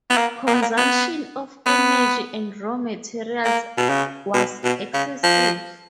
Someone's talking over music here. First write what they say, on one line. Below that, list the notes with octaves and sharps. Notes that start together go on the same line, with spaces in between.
Consumption of energy and raw materials was excessive.
B3
A#3
A#3
B3
A#3
B3
B3
A#3
B2
C#3
B2
B2
C#3
F3